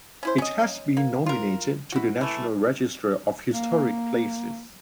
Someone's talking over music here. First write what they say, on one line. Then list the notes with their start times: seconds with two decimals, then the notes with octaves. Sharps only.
It has been nominated to the National Register of Historic Places.
0.23 C#4 E4 C5
0.38 C#4 D#5
0.97 A#3
1.26 F4 A#4
1.92 E4 F#4
2.21 E3 A3
3.54 A#3